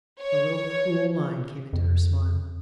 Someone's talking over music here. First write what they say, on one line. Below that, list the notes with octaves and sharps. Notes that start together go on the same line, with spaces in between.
A little cruel line came into her smile.
C#5
F2